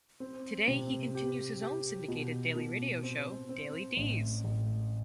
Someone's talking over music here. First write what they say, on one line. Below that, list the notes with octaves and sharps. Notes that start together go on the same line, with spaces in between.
Today he continues his own syndicated daily radio show, "Daily Dees".
C4
C3
G4
G4
B2
B2
C4
C4
A1
A1